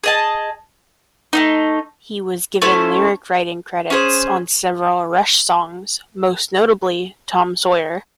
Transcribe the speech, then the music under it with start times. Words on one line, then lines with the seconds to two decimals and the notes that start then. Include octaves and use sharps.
He was given lyric-writing credits on several Rush songs, most notably "Tom Sawyer".
0.04 G#4 D#5 A5
1.33 A3 C4 D#4
2.62 A3 C#4 E4 C5
3.90 C#4 G#4 C5